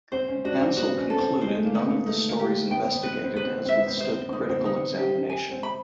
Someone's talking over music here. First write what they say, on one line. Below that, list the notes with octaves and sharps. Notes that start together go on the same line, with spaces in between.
Hansel concluded none of the stories investigated has withstood critical examination.
C4 C5
C#4
D4 F#4
C4
B3 F#4
C#4
A4
C4
C5
G#3
A3
A#3
B3 D#4
A3 D#4
A#3
G4
B3 G5
C4
B3
C4 B4
B3
C4
B3 B4
C4
B3
C4 E5
B3
C4
B3 C5
C4
B3
C4 D#4
B3
C4
B3
D#4
G4
G#5
C4
B5